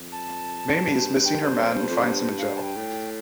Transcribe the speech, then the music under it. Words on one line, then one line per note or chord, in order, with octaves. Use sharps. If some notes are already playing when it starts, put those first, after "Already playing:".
Mamie is missing her man, and finds him in jail.
Already playing: F2
A5
G2
G5
C5
F2
G2
F2
G2
F5
A5
G5
A2